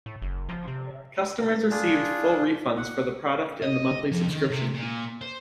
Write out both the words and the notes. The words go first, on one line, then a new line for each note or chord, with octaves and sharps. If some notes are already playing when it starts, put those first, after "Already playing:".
Customers received full refunds for the product and the monthly subscription fee.
A2
F#1
F3
C3
D4 F4 G#4
F#5
D#5
F2
D#3
C3
A#2
C5